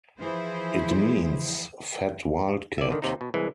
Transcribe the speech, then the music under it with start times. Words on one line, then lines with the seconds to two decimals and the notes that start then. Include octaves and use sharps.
It means "fat wildcat".
0.19 E3 F3 E4 G#4 C5
2.78 D5 E5
2.91 D3 D#3
3.02 D#2 C3 D#4
3.21 B2
3.34 C2 E3 G#3